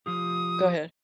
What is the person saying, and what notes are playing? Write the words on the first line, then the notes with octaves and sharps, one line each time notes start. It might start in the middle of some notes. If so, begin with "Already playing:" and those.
go ahead.
F3 F4 G4 D#6